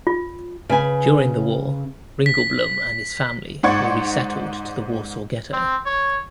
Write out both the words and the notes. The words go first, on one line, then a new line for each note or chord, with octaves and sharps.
During the war, Ringelblum and his family were resettled to the Warsaw Ghetto.
F4
C#3 B4 G#5
B6
G#2 C5 D5 F#5 C#6 G#6
C4
C#5